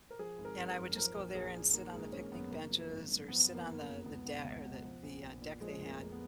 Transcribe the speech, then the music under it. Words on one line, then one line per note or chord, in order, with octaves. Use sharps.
and I would just go there and sit on the picnic benches or sit on the the deck or the the, uh, deck they had
A#4
F3 G#4
G#1
A#4
G#1
A#4
F#2
F3 A#4
A#1
A#1 G#4
A#2
D#3 A#3
G#1 G#3
G#1 C#4
F#2 B3
C#3 A#3
F3
G#1
F#2
F3 B3
F#1
A#3
F#1
A#3
F2
C#2 B3
B2
C#2
B2
F3
A#1
A#1
A#2
F3 G#3
F1
A#3
F1
B3